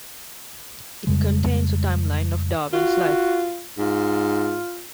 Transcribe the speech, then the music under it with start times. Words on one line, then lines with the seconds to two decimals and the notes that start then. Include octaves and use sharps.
It contains a timeline of Darwin's life.
1.07 F2 C#3 G3 G#3
2.73 F4 F#4
3.78 G#2 F4